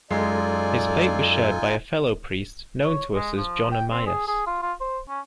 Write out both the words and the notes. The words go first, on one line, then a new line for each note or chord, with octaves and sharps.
His fate was shared by a fellow priest, known to us as John Amias.
F#2 G#3 D#4 F4 A4 D5 G#5
C#5
G#3
F3
G5
C4
G#4
G#4
F4
F4
C5
C#4